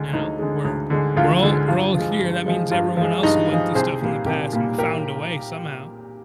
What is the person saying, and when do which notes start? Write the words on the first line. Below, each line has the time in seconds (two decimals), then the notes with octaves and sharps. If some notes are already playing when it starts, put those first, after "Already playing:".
You know, we're we're all we're all here, that means everyone else who went through stuff in the past and found a way somehow.
Already playing: D2 D3 G#3
0.13 D2 D#4
0.39 D3 G#3
0.65 D2
0.90 D3 G#3
1.17 D2 F4
1.42 D3 G#3
1.68 G2 F4
1.95 F3 G#3
2.20 G2
2.46 F3 G#3
2.71 G2 F4
2.97 F3 G#3
3.23 G2 D#4
3.50 F3 G#3
3.75 C2 G#4 C5
4.01 A#2 G3 A#3
4.26 C2 G4 A#4
4.53 A#2 G3 A#3
4.78 G4 A#4